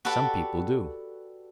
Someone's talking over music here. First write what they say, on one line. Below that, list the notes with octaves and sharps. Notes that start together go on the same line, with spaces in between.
Some people do.
F#4 G4 A4 B4 D5 F#5